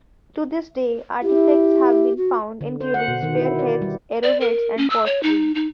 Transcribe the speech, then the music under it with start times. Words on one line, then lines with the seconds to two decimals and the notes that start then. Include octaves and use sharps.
To this day artifacts have been found including spearheads, arrowheads and pottery.
1.23 E4 G4
2.17 F#4
2.61 D3
2.81 C5
2.94 F#5
3.08 B2
3.22 D#3
3.38 E4
3.59 D5
3.82 G3
4.23 D5
4.41 A#4
4.77 C#4
4.90 E6
5.06 C#5
5.23 D#4
5.55 D#4